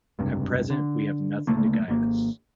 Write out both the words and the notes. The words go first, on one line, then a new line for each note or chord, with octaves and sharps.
At present we have nothing to guide us.
F1 C#2 G2 C3
D3
D2 C#3 A3 A#3
G#1 A#3